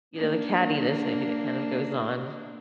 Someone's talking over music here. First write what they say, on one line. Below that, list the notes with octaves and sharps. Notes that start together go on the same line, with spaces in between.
you know, the cattiness, maybe, that kind of goes on.
A#3 D4